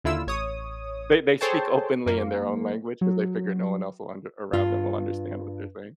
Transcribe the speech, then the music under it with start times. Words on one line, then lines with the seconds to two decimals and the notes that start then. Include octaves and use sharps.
They they speak openly in their own language 'cause they figure no one else will un around them will understand what they're saying.
0.04 D#2 D3 E4 F4 E6
0.27 A1 C#5 D#6
1.41 G#4 A4 C5 C#5 G5 A5
2.06 F#2 A#3
3.01 F#3
4.53 G2 F4